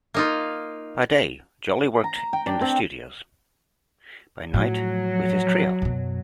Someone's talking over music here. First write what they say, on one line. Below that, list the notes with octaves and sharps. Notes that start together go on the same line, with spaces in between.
By day, Jolly worked in the studios; by night, with his trio.
A#3 D#4 F4
A#5
G5
D4
C4
A2 F3 F#3
F#2 B2